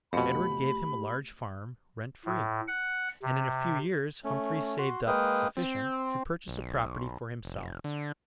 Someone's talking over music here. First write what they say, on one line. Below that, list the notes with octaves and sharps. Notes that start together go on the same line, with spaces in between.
Edward gave him a large farm, rent free; and in a few years Humphrey saved up sufficient to purchase a property for himself.
F2 B2 A3 G4 B5
A2
F#5
C3
A3 C#4
F#4 C6
G#3 A#3 B4 F5 G5 D#6
C4
B1
F1
D3